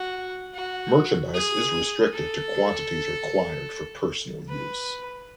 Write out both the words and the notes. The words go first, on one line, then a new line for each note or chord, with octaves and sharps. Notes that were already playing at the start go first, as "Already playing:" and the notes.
Merchandise is restricted to quantities required for personal use.
Already playing: F#4
F#4
G#4
A4
B4